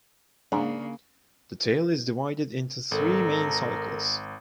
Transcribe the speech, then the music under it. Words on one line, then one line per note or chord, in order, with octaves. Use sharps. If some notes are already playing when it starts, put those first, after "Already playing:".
The tale is divided into three main cycles.
G#2 C#3 A#3 D4
G#1 A4 A#4